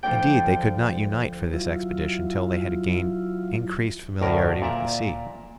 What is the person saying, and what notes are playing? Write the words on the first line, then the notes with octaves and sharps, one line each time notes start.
Indeed, they could not unite for this expedition till they had gained increased familiarity with the sea.
D2 F3 D4 D5 G5
F#3 E4 F4
D2 A2 A#4
A#2 D5 E5 A#5